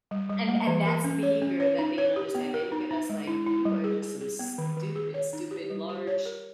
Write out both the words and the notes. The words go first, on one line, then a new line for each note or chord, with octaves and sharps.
And and that's the behavior that they don't understand. They look at us, like, "You are just some stupid, stupid, large,
G3
G3
A#3
E3
A#4
C#4
C#5
C#4
C#5
D#4
C#5
G4
B3
A#4
D#4
D#4
G#3
E4
E4
G3
G#4
G#4
G#4
B3
D#3
D#3
G#4
C#5
D#4
G4
G3
G4
C#5
A#4